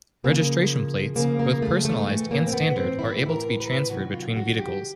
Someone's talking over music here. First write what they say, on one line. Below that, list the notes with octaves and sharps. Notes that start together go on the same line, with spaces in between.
Registration plates, both personalised and standard, are able to be transferred between vehicles.
C#3 F3 A#3
C#3 F3 A#3
A#3
A3
A3
A2 E3 A3
A#3
C4
B3
C4
A2 E3 E4
A#4
B4
C3 D#3 F#3 F#4
F4
F#4
G4